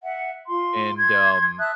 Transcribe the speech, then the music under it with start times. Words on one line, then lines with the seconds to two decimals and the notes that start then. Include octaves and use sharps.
And, um,
0.03 E5 F#5
0.48 F4 C6
0.98 C6 G#6
1.58 E5 A5 D#6 F#6